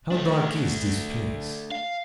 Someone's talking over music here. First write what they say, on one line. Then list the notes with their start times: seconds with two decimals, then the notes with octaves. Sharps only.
How dark is this place!
0.11 A3 D4
1.71 F5